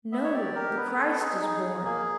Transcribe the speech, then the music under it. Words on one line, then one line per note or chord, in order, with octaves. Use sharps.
"No, the Christ is born."
B3 E5
C#5
G4 D5
G4 A#4
B3 B4
B3 A4
D#4 G#4
D#4 G#4
G#4
A#3 G#4